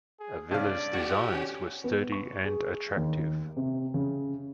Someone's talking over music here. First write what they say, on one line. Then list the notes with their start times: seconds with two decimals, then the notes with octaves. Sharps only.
Avila's designs were sturdy and attractive.
0.20 G#4
0.51 G2 C#3 D5 F5
0.94 F#4 G4
1.34 C#4
1.84 B3
2.12 C#6
2.44 G#4
2.96 D#2
3.57 C3
3.94 C#3